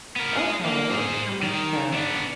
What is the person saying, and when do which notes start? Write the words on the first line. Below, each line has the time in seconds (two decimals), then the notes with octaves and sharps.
Okay, how much so?
0.16 B3 A#4
0.37 G#4 D#5
0.65 A#3
0.89 G#4 C5
1.42 D#3
1.94 B3 D4